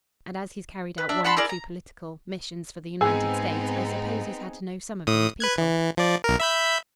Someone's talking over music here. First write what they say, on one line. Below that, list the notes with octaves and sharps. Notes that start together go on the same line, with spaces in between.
And as he's carried out one or two political missions for the United States, I suppose he's had to know some of these people.
B4
D4 E5
F#5 A5 B5 C6
E4 G#4 A#4 D5
A#5
G#2 B3 C4 D#4 G#4 G#5 E6
A2 D#6
B4 F#6 G#6
E3
F3 D5
B1 A#4
E5 B5 G6